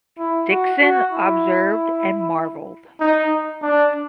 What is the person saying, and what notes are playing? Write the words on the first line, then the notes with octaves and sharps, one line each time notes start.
Dickson observed and marvelled.
E4
F#4
F#4
E4
D#4
D4